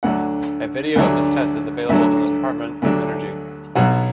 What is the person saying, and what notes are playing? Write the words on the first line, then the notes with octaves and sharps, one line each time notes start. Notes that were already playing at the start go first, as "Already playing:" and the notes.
A video of this test is available from the Department of Energy.
D2 D3 F#3 A3 D4 F#5
D2 D3 F#3 A3 D4
D2 D3 F#3 A3 D4 E5
D2 D3 F#3 A3 D4
B1 B2 F#3 F#5